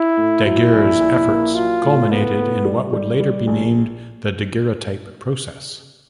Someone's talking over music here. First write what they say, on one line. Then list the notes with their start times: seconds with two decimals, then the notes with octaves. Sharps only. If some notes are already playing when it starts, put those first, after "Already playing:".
Daguerre's efforts culminated in what would later be named the daguerreotype process.
Already playing: E4
0.17 A2
0.45 F#3 E4
0.73 A#1
1.00 A#1
1.27 A#3
1.55 F#3 F4
1.83 A2
2.10 A2 B3
2.37 A2
2.65 G3
2.93 G3
3.20 G3
3.47 A#1